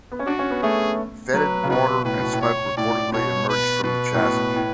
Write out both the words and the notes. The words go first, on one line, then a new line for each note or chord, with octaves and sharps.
Fetid water and smoke reportedly emerged from the chasm.
B3
C#4
D4 F#4
C#4
B3
A3 G#4
F#3 B4
C#3
B2 B4
A2 B4
B2
A2
C#5
A2 D5
B2 C#5
B4
B2 B4
A2
B2
A2